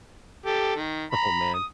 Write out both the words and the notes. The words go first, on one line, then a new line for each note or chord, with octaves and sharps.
Oh, man.
G4 A4
D#3
A#5 B5
D#6